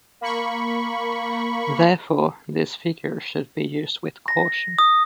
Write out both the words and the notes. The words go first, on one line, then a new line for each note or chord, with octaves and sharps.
Therefore, these figures should be used with caution.
A#3 B5 C#6
A#6
D#6